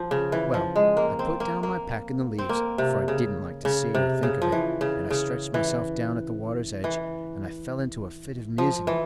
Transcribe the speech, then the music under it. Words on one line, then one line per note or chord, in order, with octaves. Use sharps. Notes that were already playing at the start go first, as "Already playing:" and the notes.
Well, I put down my pack in the leaves, for I did n't like to see or think of it, and I stretched myself down at the water's edge, and I fell into a fit of musing.
Already playing: F3
C#3
E3
F3
G#3
A#3
C4
A#3
A#3
C4
A#3
C3
C#3
C#3
C3
C#3
F3
E3
C#3
C#3
E3
E3
F3
E3